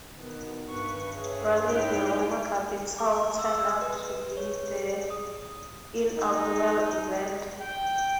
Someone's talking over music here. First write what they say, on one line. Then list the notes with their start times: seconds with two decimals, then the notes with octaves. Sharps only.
Rally di Roma Capitale turned out to be the inaugural event.
0.17 B2 D#3 B3
0.68 G2 B4 C#6
1.16 G#4 C#5 E5
1.67 D#4 E4 B4 F5 G5
2.98 D6
3.39 E6
3.81 B4
4.37 C#5
4.76 G#4
5.10 D#6
6.18 D#4
7.61 G5